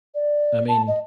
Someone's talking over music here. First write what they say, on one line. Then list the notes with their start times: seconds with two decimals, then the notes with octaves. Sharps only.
I mean
0.15 D5
0.68 A5
0.88 D#5